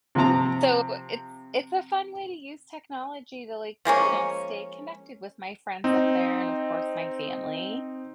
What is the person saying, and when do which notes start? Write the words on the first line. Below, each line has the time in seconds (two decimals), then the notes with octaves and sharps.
So it's it's a fun way to use technology to, like, you know, stay connected with my friends up there and, of course, my family
0.15 C3 F3 C4 A5 A#5
3.85 F3 G#3 A#3 C#4
5.84 C4 D#4